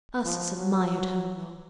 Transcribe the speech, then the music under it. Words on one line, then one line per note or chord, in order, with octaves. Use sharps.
Ursus admired Homo.
F3
F#3